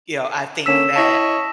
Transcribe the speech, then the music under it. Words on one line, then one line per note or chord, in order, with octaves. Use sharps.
you know, I think that,
D3 A#3 C#4 E6 B6 E7
E4 C#5 D#5 A5 A#6